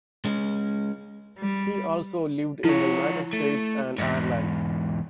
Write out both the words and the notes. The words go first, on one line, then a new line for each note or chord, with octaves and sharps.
He also lived in the United States and Ireland.
G#3 C#4
G3
F3 E4 C#5
A3
E2 G#2